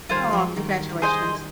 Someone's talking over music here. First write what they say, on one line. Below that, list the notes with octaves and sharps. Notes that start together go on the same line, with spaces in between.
Aw, congratulations.
D#3 G3 F4 C5 F5 G#5
F3 G#3
D#3 G3
G#4 C5 D#5 G#5